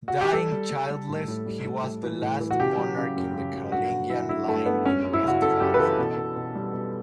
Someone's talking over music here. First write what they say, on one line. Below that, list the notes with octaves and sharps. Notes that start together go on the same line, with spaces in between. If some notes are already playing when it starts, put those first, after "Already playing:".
Dying childless, he was the last monarch in the Carolingian line in West Francia.
F#4
G4
G3 A4
G3
G3
G3
A2
A2
G3
A2
A2
E3
A2
E3
F#4
C#3 G4
F#3
C#3
F#2
C#3
F#3
G2 F#4
D3
F#3 E4
D3 E4
G2 A3
G2 B3
F#2 C#4
F#2
E4
C#3 F#4
F#2 A4
F#2 G4
B4
E3 A4
B2
B2
B2
G3
B2